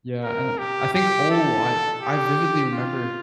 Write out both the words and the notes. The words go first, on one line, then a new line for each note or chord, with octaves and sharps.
Yeah, and I I think oh, I I vividly remember
A#4
G4
G4
A4
G4
F4